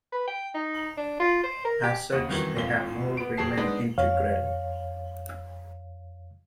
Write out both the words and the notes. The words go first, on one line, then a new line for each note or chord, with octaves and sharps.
As such, they have no Riemann integral.
B4
G5
D#4
D4
F4
C5
A#4
G4
D#2 C#3 D#5 F#5
C2 F#2 D#3 E3 F#3
G#1 D2 F3 F4 G7
B3 D7
F#1 F#3 G#4 G5 A5 C7
G#3 B3 D4 D#4
F2 C#5 F5